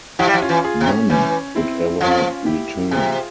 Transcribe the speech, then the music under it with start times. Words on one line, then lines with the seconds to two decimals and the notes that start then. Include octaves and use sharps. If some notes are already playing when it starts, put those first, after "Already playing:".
None would ever return.
0.19 F3 E4 G4
0.27 G3
0.34 F3
0.42 C#4 F4
0.49 E3
0.64 F4 G#4
0.81 C3
0.88 C#4
1.10 E3 C#4
1.55 C4 E4
2.01 F3 C#4 F4
2.46 E4 G4
2.91 C3 F4 G#4